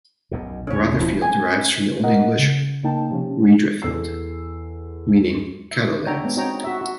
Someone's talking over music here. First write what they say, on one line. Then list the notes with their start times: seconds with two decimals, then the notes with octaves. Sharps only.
Rotherfield derives from the Old English "redrefeld" meaning "cattle lands".
0.31 B1 F#2 B2
0.67 D#2 A2 C#3 C#4 C#5
1.00 D#1 F3 E4
1.22 G#5
2.03 A#4 D#5 F#5
2.39 C#3
2.83 C#3 A#3 D#4 G5 A5
3.11 C3 F3 C#4
3.82 E2 A4 E6 C7
5.71 E5
6.06 D4 C#5 E5 F#5 G5 A#5
6.24 G#3 B3
6.36 C4 D#4 F#4 C#5 G5 A#5
6.64 F#4 E5
6.81 F#4